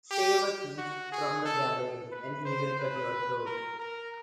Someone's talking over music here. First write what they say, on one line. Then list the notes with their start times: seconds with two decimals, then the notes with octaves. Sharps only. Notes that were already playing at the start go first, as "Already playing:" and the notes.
Save a thief from the gallows and he will cut your throat.
0.10 G4
0.78 F#4
1.12 G#4
1.45 A4
2.11 B4
2.45 C5
2.79 B4
3.46 A#4
3.79 A#4